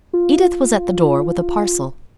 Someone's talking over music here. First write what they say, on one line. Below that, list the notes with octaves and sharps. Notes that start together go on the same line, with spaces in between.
Edith was at the door-with a parcel.
F4